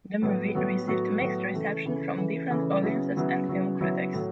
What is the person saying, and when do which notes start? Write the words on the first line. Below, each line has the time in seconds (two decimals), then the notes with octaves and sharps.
The movie received mixed reception from different audiences and film critics.
0.22 A2 F#3 B3 F#4
0.54 A2 F#3 B3 F#4
0.87 A2 F#3 B3 F#4
1.20 A2 F#3 B3 F#4
1.52 C#3 E3 A3
1.85 C#3 E3 A3
2.18 C#3 E3 A3
2.50 C#3 E3 A3
2.83 C#3 F#3 B3 E4
3.16 C#3 F#3 B3 E4
3.48 C#3 F#3 B3 E4
3.81 C#3 F#3 B3 E4
4.14 A2 F#3